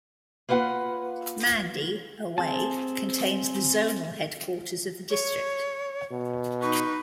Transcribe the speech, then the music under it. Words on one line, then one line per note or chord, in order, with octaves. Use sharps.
Mandi, away, contains the Zonal headquarters of the district.
A#3 F4 B4 F#5
C4 G#4 A5
C#5
B2
D#4 B4 C#6